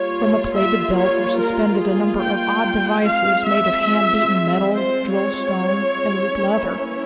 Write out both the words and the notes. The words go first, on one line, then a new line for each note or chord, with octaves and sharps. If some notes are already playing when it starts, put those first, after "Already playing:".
From a plaited belt were suspended a number of odd devices made of hand-beaten metal, drilled stone and looped leather.
Already playing: G3 A#3 F4 C#5
E5
C#5
A#4
G#4
G5
G#3 C4 F4 F5
E5
C5
C#5
E3 A#3 C#4 E4